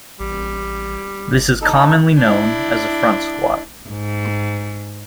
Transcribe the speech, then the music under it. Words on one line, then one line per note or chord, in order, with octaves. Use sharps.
This is commonly known as a front squat.
A1 G3
G1
D#4 A4
D4 E4
G#2